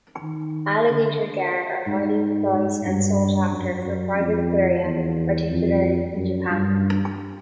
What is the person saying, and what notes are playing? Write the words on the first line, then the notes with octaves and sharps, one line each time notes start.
Alligator gar are highly prized and sought after for private aquaria, particularly in Japan.
D#3
D3
G#2
G#2
G2
F#2
F#2
F2
E2
F2
F#2
G2